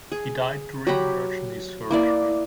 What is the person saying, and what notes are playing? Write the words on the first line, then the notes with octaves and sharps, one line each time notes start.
He died during emergency surgery.
G#4
F#3 G4 A#5 B5
A#3 E4 D5